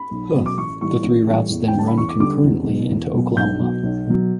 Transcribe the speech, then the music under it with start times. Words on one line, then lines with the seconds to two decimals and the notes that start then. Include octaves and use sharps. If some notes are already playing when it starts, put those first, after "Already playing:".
The three routes then run concurrently into Oklahoma.
Already playing: B5
0.11 B1
0.35 B2 F#3
0.46 D6
0.58 A1 C#6
0.81 A2 E3 G3 C#6
1.04 A1
1.28 A2 E3 G3
1.50 E2
1.68 G5
1.74 D3 G3 A5
1.88 B5
1.98 E2 C#6
2.09 D6
2.20 D3 G3 D6
2.44 E2
2.67 B2 F#3
2.90 E2
3.13 B2 F#3
3.37 B1 G6
3.59 B2 F#3
3.83 B1
4.07 B2 F#3